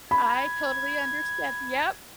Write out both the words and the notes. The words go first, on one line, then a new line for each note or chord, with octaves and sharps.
I totally understand yep.
B5 G#6